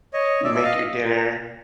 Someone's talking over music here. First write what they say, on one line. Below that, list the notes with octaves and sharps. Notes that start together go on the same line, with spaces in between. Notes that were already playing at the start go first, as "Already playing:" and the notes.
you make your dinner,
C#5 D#5
D5 E5
E5
D#5 F5